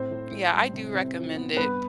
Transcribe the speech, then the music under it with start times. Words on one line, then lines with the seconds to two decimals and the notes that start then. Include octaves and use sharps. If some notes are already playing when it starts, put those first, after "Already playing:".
Yeah, I do recommend it,
Already playing: A2 C4 C5
0.11 A2
0.31 A2
0.53 G3
0.73 C3
0.95 C3
1.15 F3
1.36 B3
1.56 G2 B3 B4